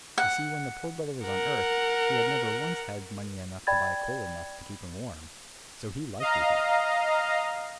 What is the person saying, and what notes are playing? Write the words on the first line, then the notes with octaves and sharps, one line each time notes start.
You see when the Poor Brother was on earth he had never once had money enough to buy coal enough to keep him warm; so he liked the heat.
F#5
A#4 F#5
D5 G5 B5 G#6 A6
D#5 F5 A#5